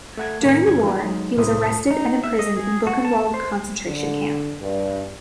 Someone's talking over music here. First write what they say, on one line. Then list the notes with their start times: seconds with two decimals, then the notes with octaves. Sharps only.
During the war, he was arrested and imprisoned in Buchenwald concentration camp.
0.17 A3 F#5 G#6
0.42 A2 D#3 A#3
0.67 G2 D3 G#6
0.83 E3 A#3
0.99 F#3 G#3 D#4
1.37 C2 A2 E4 C5 D#6
1.91 D#4
2.24 E5
2.39 D#5
2.57 G#4
2.87 F#4
3.05 A5
3.34 C5
3.87 D3
4.61 G2